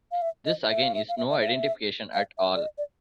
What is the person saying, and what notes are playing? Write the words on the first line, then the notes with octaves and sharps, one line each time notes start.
This, again, is no identification at all.
F5
E5
D#5
E5
F5
E5
F5
E5
E5
E5
F5
E5
F5
E5
D5
D#5
D5